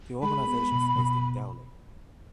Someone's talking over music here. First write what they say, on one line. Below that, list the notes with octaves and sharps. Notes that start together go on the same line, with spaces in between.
The organization is based in Delhi.
G#3 B5
B3
B2
B2